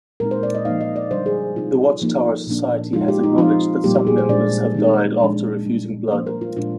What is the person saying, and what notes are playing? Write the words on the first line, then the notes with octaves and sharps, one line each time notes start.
The Watch Tower Society has acknowledged that some members have died after refusing blood.
A#2 G#3 C4 D#4 A#4
C5
D5
D#5
F3 A#3 D#4 F5
D#5
D5
D3 G3 D4 C5
G#4
C3 G3 C4 D#4 F4
F3 A#3 D#4
A#2 F3 A#3 D4
F3 G#3 D#4 F4
G4
D#4
F3 C4 D#4 F4
A#2 G3 A#3 G4
G4
G#4
C5
A#2 G#3 D4 D5
D#3 G#3 C4 D#4
A#2 F3 G#3 D4
A#2 G3 D4
F3 A#3 D4 C5
A#4
F4
A#2 G#3 D4 F4